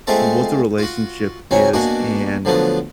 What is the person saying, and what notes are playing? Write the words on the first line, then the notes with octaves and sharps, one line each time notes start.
what the relationship is and,
G#3 A3 C4 F4 A4 E5
F4 F#4
C#2 F#3 C4 C#4 C#5
B2 A#3 D4 F#4 G#5
D3 F3 F#3 A3 B3